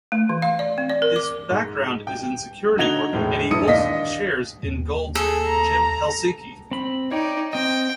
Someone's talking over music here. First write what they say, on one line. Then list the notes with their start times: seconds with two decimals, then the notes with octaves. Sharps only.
His background is in security work, and he holds shares in Gold's Gym-Helsinki.
0.12 A3
0.29 E3
0.42 F5
0.59 D5
0.78 C4
0.90 D5
1.02 A#4
1.16 D6
1.50 G#2
2.07 G5
2.77 D3 D#4 F#4 G#6 F7 G7
3.13 E1 A2 G#3
3.51 E1 G2 E4 D#6 C#7 D#7
3.67 D#2 D4 D#5 F5 B6
4.63 D#2
5.15 G#4 A4
5.46 A#5
6.71 C4 B5
7.11 D#4 C#5 D5 G5
7.53 C4 D#5 G5